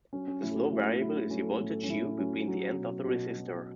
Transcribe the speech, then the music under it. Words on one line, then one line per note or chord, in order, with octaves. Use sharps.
The slow variable is the voltage "U" between the ends of the resistor.
F#3 C#4
C#4
A2 E4
A4
F#4
A2 E4
F#3 E4
F#3 C#4
A4
F#4
A2
A4
C#4
A2 E4
F#3 C#4
F#3
B2
B2
F#3